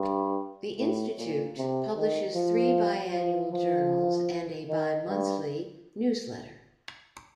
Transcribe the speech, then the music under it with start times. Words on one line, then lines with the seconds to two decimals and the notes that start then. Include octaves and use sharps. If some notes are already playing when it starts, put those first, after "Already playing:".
The institute publishes three bi-annual journals and a bi-monthly newsletter.
Already playing: G2
0.79 A2
1.18 A#2
1.57 C3
1.96 D#3
2.35 F3
3.13 F3
3.52 F3
4.69 D#3
5.08 G2